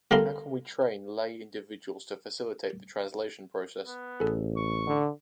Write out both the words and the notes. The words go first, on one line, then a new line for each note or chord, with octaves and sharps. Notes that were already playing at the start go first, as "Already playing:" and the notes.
How can we train lay individuals to facilitate the translation process?
D3 G3 A#4 F5 C6
B3
A1 G#4 A4
C#6
D3